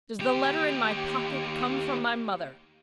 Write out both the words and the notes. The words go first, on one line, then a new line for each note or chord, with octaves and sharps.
"Does the letter in my pocket come from my mother?"
D#2 G4